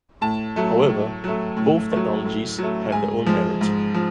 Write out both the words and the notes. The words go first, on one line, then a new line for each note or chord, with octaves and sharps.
However, both technologies have their own merit.
A2 A5
F#3 A3
A2
F#3 A3
A2
F#3 A3
A2
F#3 A3
G#2 G#5
F3 G#3
G#2
F3